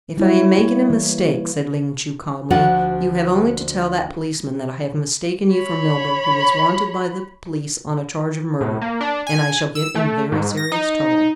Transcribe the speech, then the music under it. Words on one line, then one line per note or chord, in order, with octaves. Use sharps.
"If I am making a mistake," said Ling Chu calmly, "you have only to tell that policeman that I have mistaken you for Milburgh, who is wanted by the police on a charge of murder, and I shall get into very serious trouble."
G3 E4 C#5
A#3
E3
D2 F3 D4 F4 F#4 F#5
C#5 B5
A2
A#3
D4
G#5
E6
A3
G#2
A#6
D#4